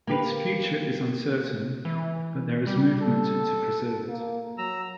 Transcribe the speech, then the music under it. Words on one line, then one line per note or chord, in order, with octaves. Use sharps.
Its future is uncertain, but there is movement to preserve it.
A#3 G4 B4
E3
G3
A4
A#3
F#3 A#5 E6